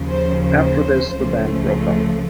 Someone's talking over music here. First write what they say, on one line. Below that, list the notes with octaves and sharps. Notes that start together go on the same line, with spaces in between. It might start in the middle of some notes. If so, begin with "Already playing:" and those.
After this, the band broke up.
Already playing: D#2 C#3 F3
C5
C5
C#2 C#3 F3 A3